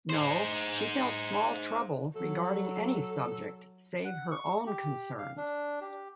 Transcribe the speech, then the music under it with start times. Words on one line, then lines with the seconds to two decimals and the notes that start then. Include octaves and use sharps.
No, she felt small trouble regarding any subject, save her own concerns.
0.09 G#4 C5
2.15 F#3 A4
4.05 F#5
4.31 C#6
4.67 G4
5.19 F5
5.37 D4
5.81 G4